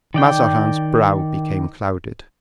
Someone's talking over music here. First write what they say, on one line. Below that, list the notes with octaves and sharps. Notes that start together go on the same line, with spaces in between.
Mazarin's brow became clouded.
D#3 D5 G5